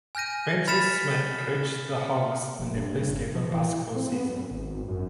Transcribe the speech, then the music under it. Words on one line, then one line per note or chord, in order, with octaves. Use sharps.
Francis Schmidt coached the Hogs in their first ever basketball season.
G#5 F6 G6 A#6 D#7
B5 F6 A6 B6 C#7 E7
F1
G2
G2
G1
F3
E3
A2
C4
B3
F#2
G#1
F#2